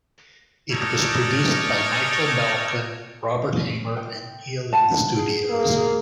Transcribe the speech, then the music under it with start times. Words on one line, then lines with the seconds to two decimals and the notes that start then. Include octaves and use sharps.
It was produced by Michael Balcon, Robert Hamer and Ealing Studios.
0.72 C#4 D#4 A4 A#4 C#5 D5
3.97 G5
4.73 F#5 A5
5.16 G#4
5.50 A#3